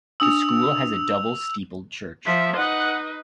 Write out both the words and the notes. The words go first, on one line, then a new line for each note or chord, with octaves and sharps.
The school has a double steepled church.
D4 D#6 E6 F7 F#7
F3 E5 B6
D#4 B4 D#5 F#5